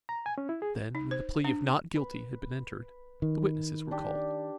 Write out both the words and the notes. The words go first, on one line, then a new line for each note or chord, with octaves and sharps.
Then, when the plea of "not guilty" had been entered, the witnesses were called.
A#5
G#5
C#4
E4
G#4
D#4
C5
D4
B4
D#3
D4 G4